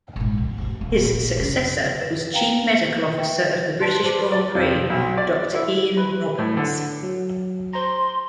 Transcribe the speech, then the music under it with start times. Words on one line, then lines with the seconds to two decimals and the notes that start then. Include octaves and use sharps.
His successor was Chief Medical Officer of the British Grand Prix, Doctor Ian Roberts.
0.16 A#1 G#2
0.38 D#2
0.58 F#2 A2
0.81 D#1
1.04 A#1
1.37 F#2 C#3
2.01 B4
2.34 F5 G5 A#5
2.69 C#7
3.18 B4 E5 G5
3.80 B4 D5 A5 C6 F#6
4.02 B4 C5 A5 C6 D6
4.32 D5
4.55 F2
4.90 B1
5.17 D5
5.55 E4
5.97 B4
6.38 A2
6.57 D3
7.03 F#3
7.73 C5 A#5 C6